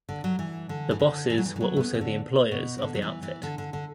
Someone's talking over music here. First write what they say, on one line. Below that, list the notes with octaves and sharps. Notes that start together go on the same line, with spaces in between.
The bosses were also the employers of the outfit.
D3
F#3
E3
D3
E3
D3
E3
F#3
E3
E3
F#3
A3
B3
E3
D3
B2
B2
D3
F#3
E3
E3
D3
D3
D3